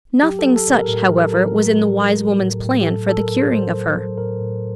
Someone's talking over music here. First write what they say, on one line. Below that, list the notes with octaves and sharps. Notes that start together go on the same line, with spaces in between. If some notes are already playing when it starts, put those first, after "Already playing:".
Nothing such, however, was in the wise woman's plan for the curing of her.
F#3 G4
A4
F#3
A4
A2 A#4
A2 A#4
F#3 A#4
A4
F#3 A#4
A2
A2
F#3
F#3
A2
A2
G4
F#3 A4
F#3 A4
A#4
A2
A2 C5
F#3
F#3
A2 A#4
A2